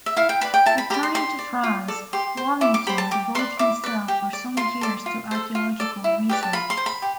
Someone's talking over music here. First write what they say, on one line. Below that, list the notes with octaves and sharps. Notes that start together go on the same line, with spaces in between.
Returning to France, Waddington devoted himself for some years to archaeological research.
E5
E4 F5
G5
B4 D5 B5
G5
E4 A5
B5
G4 D5 B5
C6
G4 C6
D5
F4
A4 D5
G4 C6
C5
E4 D6
D6
G4 C5 B5
A5
G4 D6
B4 D5 C6
E4 D6
B4 D5
G4
D5
F4 C6
A4 D5
F4
A4 C5
F4
A4 D5
E4
G4 B4 D5
A5
F4 B5
C6
C5
B5
G4